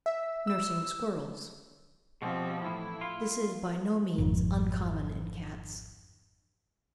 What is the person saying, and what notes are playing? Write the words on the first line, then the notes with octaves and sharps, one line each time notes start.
NURSING SQUIRRELS.--This is by no means uncommon in cats.
E5
E6
B2 F3 G3 C4
A2 E3 E4
F4
G#1 F2